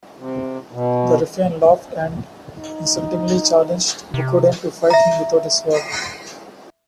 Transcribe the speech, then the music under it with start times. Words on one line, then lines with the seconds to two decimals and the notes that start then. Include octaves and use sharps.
The ruffian laughed and insultingly challenged Bokuden to fight him without a sword.
0.18 C3
0.72 B2
2.59 D#4
4.14 C3
4.90 E5 A#5